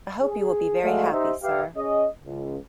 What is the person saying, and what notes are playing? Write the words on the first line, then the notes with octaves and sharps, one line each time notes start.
I hope you will be very happy, sir.
G#4
G#3 A3 F#4 D5 F5
D#4 G4 C5 D#5 E5
G4 B4 E5 F5
C#4 G#4 D#5
C#2